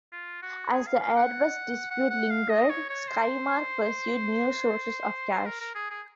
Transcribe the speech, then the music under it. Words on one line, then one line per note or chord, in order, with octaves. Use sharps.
As the Airbus dispute lingered, Skymark pursued new sources of cash.
F4
F#4
G#4
F5
F5
F#5
F#5
F#5
F5
D#5
C#5
C#5
C5
A#4
A#4
G#4
G#4